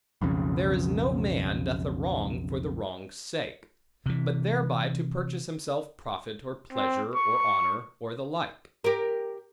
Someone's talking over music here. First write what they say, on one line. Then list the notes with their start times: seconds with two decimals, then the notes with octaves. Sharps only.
There is no man doth a wrong, for the wrong's sake; but thereby to purchase himself profit, or pleasure, or honor, or the like.
0.22 B1 F2 C#3
4.06 C3 E3
6.73 C4
7.15 C#6
8.84 G4 A#4